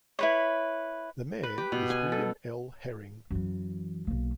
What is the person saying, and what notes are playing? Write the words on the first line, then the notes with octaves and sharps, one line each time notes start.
The mayor is William L. Herring.
E4 B4 C#5
B4
G4
B2
G#5
A4
F#2 E3
B1 A#3